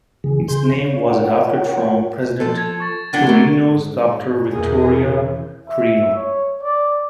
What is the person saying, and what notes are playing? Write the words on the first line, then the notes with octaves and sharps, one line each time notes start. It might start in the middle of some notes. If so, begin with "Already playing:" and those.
Its name was adopted from President Quirino's daughter Victoria Quirino.
C#3 E3 G#4
C#3 G#4 C6 G6
C#5
F4 A#4 C#5 F#5 G5
F3 A4
G#6
C#6 A6
B3 D4 F#5 A6 G7
A3 A#3
G#2
E2 B2 E3 G#4 A#4
E5
C#5
D5